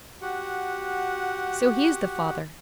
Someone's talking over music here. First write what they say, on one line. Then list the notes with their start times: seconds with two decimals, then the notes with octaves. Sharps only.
"So he is the father."
0.21 F#4 G4 F#5